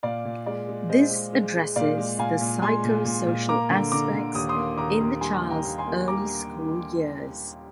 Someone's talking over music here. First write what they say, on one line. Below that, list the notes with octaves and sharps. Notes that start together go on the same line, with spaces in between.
This addresses the psychosocial aspects in the child's early school years.
A#2 D5 F5
A#2
G#3 D5
G#3
G#3 C5 D#5
G#3
G#3
G#3
A#2 D5 F5
G#3
A#2 F5 G#5
A#2
G#3 G#5 C6
A#2
A#2
A#2
A#3 A#5 D6
D3
D3 A#5 D6
D3
D#2 D#6
C6 D#6
A#3
D#2 A#5 D6
D#2
G3 G#5 C6
D#2
G5 A#5
D#2
G#5 C6
A#3
G3 A#5 D6